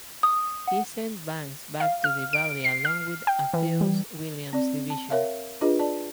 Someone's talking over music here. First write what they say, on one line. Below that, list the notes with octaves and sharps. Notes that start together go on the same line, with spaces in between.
He sent Banks back to the Valley along with Alpheus Williams's division.
D#6
F#5
F5
F6
D7
C7
F6
G5
E3
G3
C4 D5
A5
A#4 C#5 E5 F5
D4 F4 G#4 B4 D#5
D5 A5